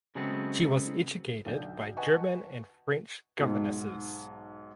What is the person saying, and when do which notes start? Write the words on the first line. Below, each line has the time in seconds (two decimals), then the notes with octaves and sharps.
She was educated by German and French governesses.
0.15 C#3 F#3 G#3 A3 B3 C4
1.46 B1 D3 G6
1.97 B4 D#5 F#5 G#5 A5 C#6
3.38 B1 G#2